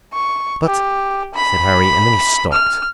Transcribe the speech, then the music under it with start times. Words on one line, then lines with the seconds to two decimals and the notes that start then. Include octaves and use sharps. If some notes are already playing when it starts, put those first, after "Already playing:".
"But--" said Harry, and then he stopped.
0.13 C#6
0.66 G4
1.35 B5
2.52 F6